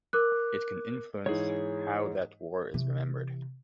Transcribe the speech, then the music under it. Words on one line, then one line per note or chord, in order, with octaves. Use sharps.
It can influence how that war is remembered.
A#4 D6 F#6
G#2 E3 G#4 C#5
C3 E3